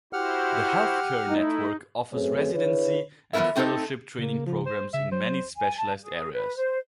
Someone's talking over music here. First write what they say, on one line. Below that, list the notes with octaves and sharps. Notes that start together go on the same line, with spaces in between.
The healthcare network offers residency and fellowship training programs in many specialized areas.
E4 F#4 G4 C5 F#5 F6
A3 D#4 E4
F#2 A3 C4 G#4 B4 C#5
D3 E4 G#4 B4 C#5
E3 F3 G3 B3 A#4 E5
A3 C4 D#4 F#4 A4
C#3 A#3
F3
C5
C#3 E5
F#3 C5
G#5
A5
G#4
B4
C5